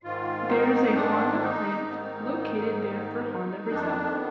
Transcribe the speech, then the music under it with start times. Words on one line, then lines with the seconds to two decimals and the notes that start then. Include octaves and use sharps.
There is a Honda plant located there for Honda Brazil.
0.04 G#2 D#3 F4
0.49 D#4
0.95 D4
1.41 D#4
1.87 G#2 D#3
3.69 F2 D#3 D4
4.15 B3